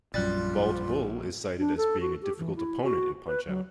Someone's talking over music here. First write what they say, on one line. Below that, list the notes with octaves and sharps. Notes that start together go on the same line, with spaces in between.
Bald Bull is cited as being a difficult opponent in "Punch-Out!!".
A#1 F#2 G3 F4 F#6 A6
D4
A4
F#4
G4
E3
E4
F#4
B4
F#3